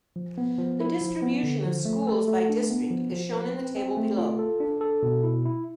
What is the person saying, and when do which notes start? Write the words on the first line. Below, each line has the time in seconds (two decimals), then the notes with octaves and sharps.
The distribution of schools by district is shown in the table below.
0.16 F3
0.38 B3
0.58 F3
0.80 E4
1.01 F3
1.22 B3
1.43 D3
1.65 F3
1.85 A3
2.07 A4
2.28 A3
2.49 D4
2.70 B3
2.91 F3
3.12 F3
3.33 B4
3.55 C4
3.76 C4
3.97 A3
4.18 F4
4.39 A4
4.60 D4
4.81 A4
5.03 B2
5.23 E4
5.46 E4